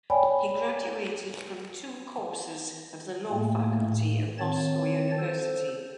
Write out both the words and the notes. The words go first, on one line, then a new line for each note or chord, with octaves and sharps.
He graduated from two courses of the Law Faculty of Moscow University.
C#5 D5 G5 G#5 B5
A2 A3 A#3
A2
D#3 C4 C#5 A5 A6
A4 C5